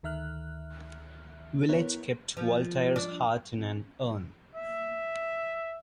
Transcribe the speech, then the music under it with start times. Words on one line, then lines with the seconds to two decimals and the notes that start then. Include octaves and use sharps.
Villette kept Voltaire's heart in an urn.
0.03 D2 D#3 E5 F6 F#6
1.69 B3 E4 A#4 C#5
2.37 F3
2.96 D4
4.55 E5